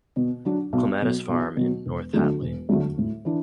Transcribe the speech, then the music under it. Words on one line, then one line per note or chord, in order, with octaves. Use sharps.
Clematis Farm in North Hatley.
B2
F#3 D4 F#4
B1
B2 F#3
B1
B2 F#3
E1
D2 D3 F#3 A3
E1
D2 D3 F#3 A3
A2
E3 D4